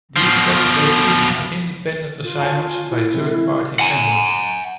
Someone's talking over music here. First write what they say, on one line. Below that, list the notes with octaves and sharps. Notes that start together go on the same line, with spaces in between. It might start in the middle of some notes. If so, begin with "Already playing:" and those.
These code pages are independent assignments by third party vendors.
B2 F3
F4
C#5 G#5 A5
E4
C3 E3 G#3
F#5 G#5